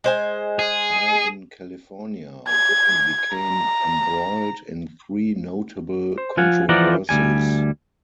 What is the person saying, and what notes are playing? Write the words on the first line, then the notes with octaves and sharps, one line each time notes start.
While in California, Whitney became embroiled in three notable controversies.
G#3 C5 G#5
G#4
G#6
A#5
C5
F3 F4 F#5 G#5
E3 F3 F4 D5 F#5 A#5
D2 C#3 G3 G#5